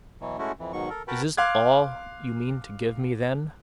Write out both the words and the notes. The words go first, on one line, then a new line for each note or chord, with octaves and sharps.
'Is this all you mean to give me, then?'
B2 E3 F#3
G#3 A3 C#4 E4 F#4
F2 E3
G#2 B2 D#3 F#3 C#6
A4 A#4
F#4 A#4 B4 G5 A5 B5
F5 C6 D6 F#6 G#6